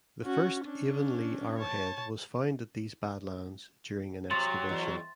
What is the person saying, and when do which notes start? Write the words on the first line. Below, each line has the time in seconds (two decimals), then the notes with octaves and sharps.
The first Avonlea Arrowhead was found at these badlands during an excavation.
0.24 C#4 F#4
0.65 C#4 D4
1.57 C#5 A5
4.31 C3 F#3 C6 A6
4.69 E2